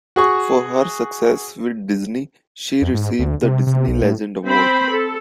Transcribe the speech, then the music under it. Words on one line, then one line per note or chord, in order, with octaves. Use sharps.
For her success with Disney she received the Disney Legend Award.
F#4 G#4 C#6
F2
G#2
D2
C3
C3
B1
A2
C4 C5 B5
A4